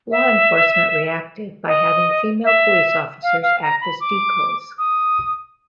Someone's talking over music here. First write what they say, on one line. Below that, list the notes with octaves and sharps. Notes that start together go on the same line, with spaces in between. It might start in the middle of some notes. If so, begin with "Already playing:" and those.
Law enforcement reacted by having female police officers act as decoys.
E5
D#5
E5
F5
F5
A#5
B5
D6
D#6